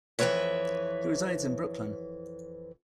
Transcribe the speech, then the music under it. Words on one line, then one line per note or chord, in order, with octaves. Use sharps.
He resides in Brooklyn.
F2 E3 G3 B4 C#5 E5